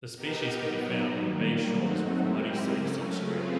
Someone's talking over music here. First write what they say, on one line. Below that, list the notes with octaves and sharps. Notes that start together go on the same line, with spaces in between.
The species can be found on bay shores with muddy sand substrate.
B3 D#4 G4 A#4
F#3 B3 D#4
D#3 G3 A#3
F#3 A3 C4 D#4 F#4
G#3 C4 E4 G4 A#4
C#3 F#3 A3 C#4
A3 C4 F4 G#4 B4